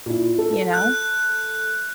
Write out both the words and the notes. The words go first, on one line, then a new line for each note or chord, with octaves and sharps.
You know?
A#2 E4
A4
F#6